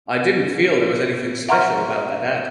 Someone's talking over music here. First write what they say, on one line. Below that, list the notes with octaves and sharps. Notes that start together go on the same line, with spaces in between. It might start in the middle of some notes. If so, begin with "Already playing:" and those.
I didn't feel there was anything special about that ad.
E5 F#5 A#5 C6 C#6 F6